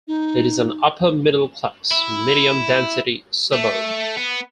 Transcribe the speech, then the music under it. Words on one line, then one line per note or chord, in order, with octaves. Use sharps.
It is an upper middle class, medium-density suburb.
D#4
E4
A3
B3